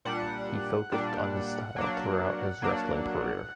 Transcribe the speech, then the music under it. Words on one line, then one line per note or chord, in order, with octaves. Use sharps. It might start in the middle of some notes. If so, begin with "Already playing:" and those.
He focused on this style throughout his wrestling career.
A#2 G3 D4 F#5
A#2 G3 D4
F#3 A#3 D4
F#3 A#3 D4